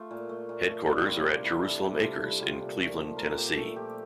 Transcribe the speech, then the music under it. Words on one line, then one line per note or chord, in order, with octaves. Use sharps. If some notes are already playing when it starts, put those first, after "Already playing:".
Headquarters are at "Jerusalem Acres" in Cleveland, Tennessee.
Already playing: A3 F4
A#2
A3
A#2
A3
A#2
G3 F4
C3 D4
G3 E4
C3 A4
G3 G4
C3 F4
G3 E4
C3 F4
A#2
A3
F3
A#2 A#4
A4
A#2 G4
A3 A4
F3 G4